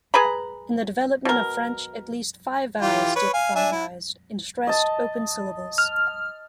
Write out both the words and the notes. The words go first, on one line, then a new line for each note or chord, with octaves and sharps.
In the development of French, at least five vowels diphthongized in stressed, open syllables.
G#4 B4 A#5 B5
B2 A#4
E3 F4 G4
B4 C#5
F5 G#5
D4 E5 G#5
E4
D#5 A5
F6